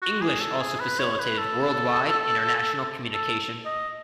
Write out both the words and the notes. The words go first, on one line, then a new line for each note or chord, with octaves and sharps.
English also facilitated worldwide international communication.
F#4
G#4
A4
G#4
B4
C#5
B4
A4
A4
D#5